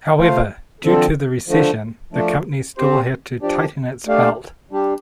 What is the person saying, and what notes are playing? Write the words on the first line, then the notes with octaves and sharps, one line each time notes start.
However, due to the recession, the company still had to tighten its belt.
A3 F4 C5 F5
D3 F3 C4 A4
D3 F3 A3
F3 A3 D4
C4 G4 C5
F3 D4 G4 D5
A3 D4 G4 D5 F5
G3 D4 G4